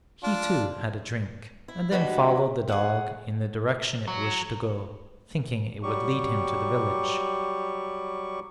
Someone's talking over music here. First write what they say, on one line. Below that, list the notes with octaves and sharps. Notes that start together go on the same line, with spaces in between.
He too had a drink, and then followed the dog in the direction it wished to go, thinking it would lead him to the village.
D4 F4
E4
D2 G2 G3 G#3 F#4 B4
G#4 F#5
F#3
F#3 G3 G4 C#6